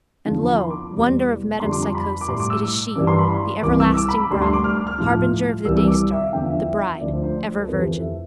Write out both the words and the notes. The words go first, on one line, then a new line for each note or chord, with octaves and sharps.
And lo, wonder of metempsychosis, it is she, the everlasting bride, harbinger of the daystar, the bride, ever virgin.
E2 D3 F3
B5
C6
D6
E2 B2 G3
F2 D3 G3 C6
D6
C6
B5
D6
A2 G3 C6
D6
E6
G2 E3 G3 D6
C6
B5
C6
C2 C3 E3 D6
E6
D6
B5
D2 D3 G3 C6
C6
D6
F6
F6
F6
A2 F3
C2 C3 E3 G3 E6
E6
D6
E5
F5
E2 D3 F3 G5
E5
E5
D2 D3 F3 D5
C5
C5
A4
F2 C3 E3 B4
G4
A4
E5